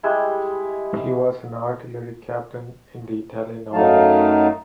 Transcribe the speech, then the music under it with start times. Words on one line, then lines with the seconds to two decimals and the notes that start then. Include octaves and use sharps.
He was an Artillery captain in the Italian Army.
0.03 G3 G#3 E4
3.73 F#2 F#3 A3 D#4 F5 A5